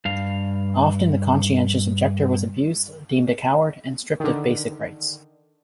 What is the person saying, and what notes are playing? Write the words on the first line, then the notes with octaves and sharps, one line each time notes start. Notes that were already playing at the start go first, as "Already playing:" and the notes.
Often the conscientious objector was abused, deemed a coward, and stripped of basic rights.
G2 F5
D3 D#3